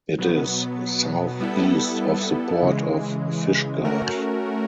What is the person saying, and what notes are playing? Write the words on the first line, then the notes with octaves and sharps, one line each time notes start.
It is southeast of the port of Fishguard.
B2 F#3 B3
G3 B3 E4 A4
C#3 E3 G#3
A3 C#4 F#4 A#4